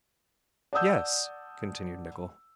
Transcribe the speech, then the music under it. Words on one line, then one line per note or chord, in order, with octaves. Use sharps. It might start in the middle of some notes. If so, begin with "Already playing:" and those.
"Yes," continued Nicholl.
D5 F#5 A5 D#6 E6 G6